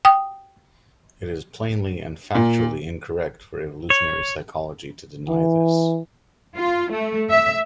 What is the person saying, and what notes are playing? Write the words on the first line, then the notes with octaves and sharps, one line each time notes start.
It is plainly and factually incorrect for evolutionary psychology to deny this.
G5 D#6
A#2
C#5
E3
F4
A3
E5